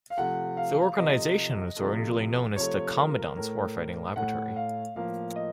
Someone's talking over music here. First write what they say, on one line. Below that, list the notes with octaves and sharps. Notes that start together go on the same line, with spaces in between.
The organization was originally known as the Commandant's Warfighting Laboratory.
F5
C3 F3 A3 F#5
F5
C3 F3 A3 D#5
C3 F3 A3
C3 F3 A3 C#5
A#4
A2 A3 A#4
A2 A3 F#5
F5
A2 F3 A#3 F5
D#5